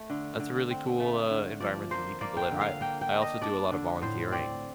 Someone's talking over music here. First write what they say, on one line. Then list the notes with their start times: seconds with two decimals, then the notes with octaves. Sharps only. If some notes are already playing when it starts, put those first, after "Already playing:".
that's a really cool, uh, environment to meet people in, I I also do a lotta volunteering.
Already playing: A3
0.10 D3
0.40 D3
0.70 C4
1.00 A3
1.30 D3
1.60 F3 D5
1.91 A#3 C5
2.21 A#3 D5
2.37 G5
2.42 F5
2.51 D3
2.61 F5
2.81 A#3 G5
3.01 G5
3.12 D4
3.22 D#5
3.42 D4 D5
3.72 D3
4.01 A2 C5
4.32 C4 D5